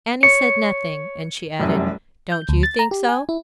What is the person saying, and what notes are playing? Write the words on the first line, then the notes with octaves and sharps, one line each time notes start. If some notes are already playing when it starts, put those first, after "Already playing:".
Annie said nothing, and she added, "Don't you think so?"
C#5 C#7
F1 C2 F#2
G6
D2
A6
A#5
G4
G#5
E4